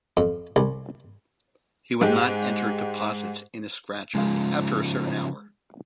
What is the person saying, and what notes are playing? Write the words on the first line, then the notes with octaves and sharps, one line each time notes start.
He would not enter deposits in his scratcher after a certain hour.
F2
C2
G#2 G#3 G4
C#3 F3 G#3 F5